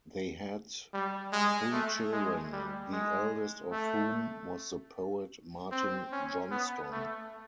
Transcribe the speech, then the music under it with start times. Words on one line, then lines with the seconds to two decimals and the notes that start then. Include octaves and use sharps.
They had three children, the eldest of whom was the poet Martin Johnston.
0.94 G3
1.33 G#3
1.72 A3
2.12 G#3
2.53 G3
2.92 G#3
3.72 A3
5.71 C4
6.12 C#4
6.51 B3
6.92 A3